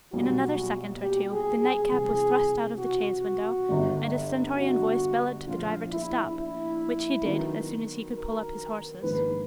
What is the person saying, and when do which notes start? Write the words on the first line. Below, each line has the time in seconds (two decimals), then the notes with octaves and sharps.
In another second or two, the nightcap was thrust out of the chaise-window, and a stentorian voice bellowed to the driver to stop: which he did, as soon as he could pull up his horses.
0.13 B1 A#2 G3 F#4
1.02 G4
1.31 G#4
1.61 G#4
1.91 C3 E3 G3 G#4
2.79 F#4
3.69 G1 G2 D3
4.58 F#4
5.47 A#1 A#2 F3 F4
5.91 E4
6.35 E4
7.25 D#3 F#3 B3
8.14 A#4
9.03 A#1 G#2 D#3 B4